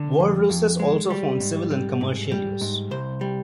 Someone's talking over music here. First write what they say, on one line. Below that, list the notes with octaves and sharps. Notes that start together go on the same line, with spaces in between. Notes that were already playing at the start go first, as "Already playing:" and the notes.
Walruses also found civil and commercial use.
Already playing: D3
F2
F2
G#3
G3
G#2
G3
G#2
G3
G#2
C2 C5
G3